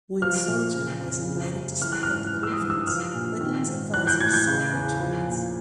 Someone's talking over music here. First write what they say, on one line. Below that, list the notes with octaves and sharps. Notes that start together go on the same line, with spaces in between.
When Souljah was invited to speak at the conference, Clinton's advisors saw their chance.
F3 F6
A#2
C#3
F2
C#3
F#2
E3 F6
F#6
F6
G#2
E3
E6
D#6
G2
E6
F3 F6
A#2
D#3
G#2
E3 F#6
G6
A2 G#6
G6
C#3
E2
F3
A#2